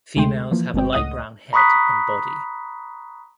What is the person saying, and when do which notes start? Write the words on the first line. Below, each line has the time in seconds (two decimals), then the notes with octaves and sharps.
Females have a light brown head and body.
0.16 D2 C3 G#3 A3 G5 C6
0.51 E3 F3 A#3
0.74 G1 G#3 C4 G5
0.93 C#2 A2 D#5 F#5 D#6
1.53 A#5 B5 C#6 D#6 F#6 B6